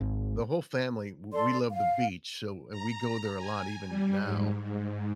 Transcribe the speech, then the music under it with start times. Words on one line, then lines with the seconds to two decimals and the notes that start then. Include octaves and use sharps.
the whole family, w we love the beach, so, and we go there a lot even now.
0.01 G#1
1.32 A4 D5 C6
1.72 F5
2.71 A#5
3.39 G#5
3.88 G3
4.19 G#2
4.64 G#2